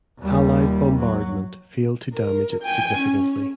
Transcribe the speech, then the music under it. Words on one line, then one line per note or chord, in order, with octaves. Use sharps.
Allied bombardment failed to damage it significantly.
D#2 G3
F#3
A#4
G5 G#5
C#4